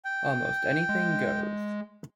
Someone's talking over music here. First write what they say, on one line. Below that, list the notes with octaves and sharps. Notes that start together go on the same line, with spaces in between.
Almost Anything Goes!
G5
G#3